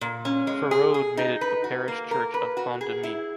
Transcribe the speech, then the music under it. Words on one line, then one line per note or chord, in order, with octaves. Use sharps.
Féraud made it the parish church of Plan-des-Mées.
A#2
C#4
G#3
G#4
G#4
D#4
B4
F#4
A#3
A#4
B4
F#4
G#4
E4